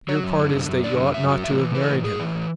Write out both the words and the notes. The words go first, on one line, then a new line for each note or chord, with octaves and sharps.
Your part is that you ought not to have married him.
F#3 C#5
F#2
D3
F#2
F#2
D3 D5
F#2
F#2 E5
F#3
A2 E5
E3
E3 B4
A4
A2 B4
A2 G#4
E3
A2